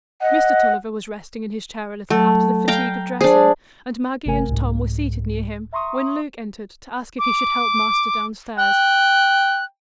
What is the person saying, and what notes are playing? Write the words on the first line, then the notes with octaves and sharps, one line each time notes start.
Mr. Tulliver was resting in his chair a little after the fatigue of dressing, and Maggie and Tom were seated near him, when Luke entered to ask if he should help master downstairs.
D#5 F#5
F#3 A3
F5 G5 A#5
D4 G#4 C5
G1 C3 A3 A#4 G#5
C2 G#2
E5 A#5 C6 C#6 D#6
D6
G5 F#6